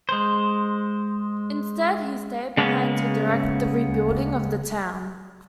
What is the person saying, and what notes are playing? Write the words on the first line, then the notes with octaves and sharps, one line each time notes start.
Instead, he stayed behind to direct the rebuilding of the town.
G#3 C5
C#3 G#3 A#3 B3 C#4